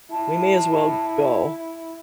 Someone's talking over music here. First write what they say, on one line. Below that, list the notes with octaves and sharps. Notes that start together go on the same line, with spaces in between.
we may as well go,"
E4 A5